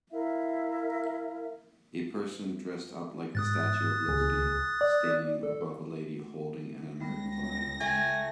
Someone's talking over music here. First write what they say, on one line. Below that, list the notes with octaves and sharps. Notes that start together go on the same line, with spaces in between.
A person dressed up like the statue of liberty standing above a lady holding an American flag.
E4 A#4 E5 F5
G#2 D#6 F#6 A6
C#2 G#4
D5
A4
C#2 G3 B3 A#6
A3 G5 G#5